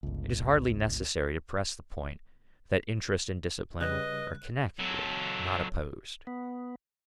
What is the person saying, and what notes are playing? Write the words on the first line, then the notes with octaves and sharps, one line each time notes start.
It is hardly necessary to press the point that interest and discipline are connected, not opposed.
G1 C#2
C#3 G3 B4 D#5 F#6
F#3 A4
B3